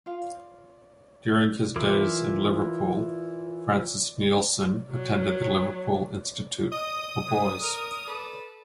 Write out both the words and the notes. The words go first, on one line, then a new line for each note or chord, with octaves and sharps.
During his days in Liverpool, Francis Neilson attended the Liverpool Institute for Boys.
F4 F5
E3 E4 F4 A#4 D6
F#3
D#5 D#6
F2
A#4
A4 B4 D5